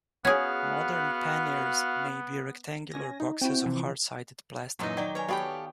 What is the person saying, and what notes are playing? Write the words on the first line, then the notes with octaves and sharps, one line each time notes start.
Modern panniers may be rectangular boxes of hard-sided plastic.
B3 C#4 F#4 G#4 F5
C#4 G#5 A#6
D#4
C4 E4 F#4 G5
C3 E3 F3
F#2 A#2 E3 F#3 D#4 D#5
D#3 F#3 D5 F#5 G5 C6 D6 G7
B4 C#5 G#5 A#5
B3 F#4 G4 A4 C#5 F5 G5 B5